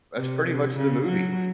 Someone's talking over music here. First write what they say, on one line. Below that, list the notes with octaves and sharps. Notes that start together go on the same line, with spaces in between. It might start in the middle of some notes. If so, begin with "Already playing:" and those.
that's pretty much the movie.
C3
C3
C#3
F#3